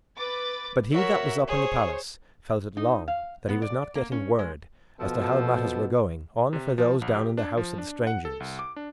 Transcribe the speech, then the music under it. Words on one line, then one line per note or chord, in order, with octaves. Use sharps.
But he that was up in the palace felt it long that he was not getting word as to how matters were going on for those down in the house of the strangers.
B4 D6 A6
F#4 A#4 C#5 E5
G#4 C5 C#5
D#4
F5
B3
D5
A#3
C#4
G#3
B2 F3 A4
C3
F3
A#1
G4
D4
F3
D4
F#5
A4
C2
D6
D4